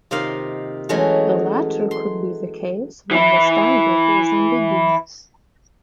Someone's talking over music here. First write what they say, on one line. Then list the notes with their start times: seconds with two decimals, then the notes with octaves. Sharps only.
The latter could be the case when the standard is ambiguous.
0.11 C3 D#3 A#3 F4 D#5 F5
0.89 E3 F#3 G#3 A3 C#4
1.91 C6
3.11 E3 E4